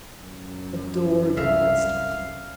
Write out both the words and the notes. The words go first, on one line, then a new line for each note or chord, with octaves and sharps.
Adore your masters.
F#2
C2 E5 F5